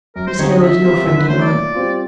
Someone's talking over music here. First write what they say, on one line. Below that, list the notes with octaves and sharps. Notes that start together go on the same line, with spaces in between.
'Miss Hale is no friend of mine.
F#2 A#4
C5
D3 G3 C4 D#4 C#5
D#5
D#3 E5
G3 C4 F4 A#4 E5
D3 E5
B4
F#3 A3 C#4 C5
D5
A#2
G3 C4 F4